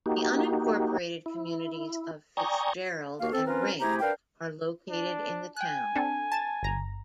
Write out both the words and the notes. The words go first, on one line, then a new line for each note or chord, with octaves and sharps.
The unincorporated communities of Fitzgerald and Ring are located in the town.
A#3 D#4 F#4 G4
E4
D5 G5 G#5 A#5 C#6 D#6
D#2 A#3 F#4 F5
C4 A4
F3 C4 C#4 F4 A#4 B4
C3 A3 E4 G4 G#4 A#5
D4 A#4 B4 F5 G5
D4
G5 G#5 F#6
C4 D4 A4
A5 A6
G1 A#5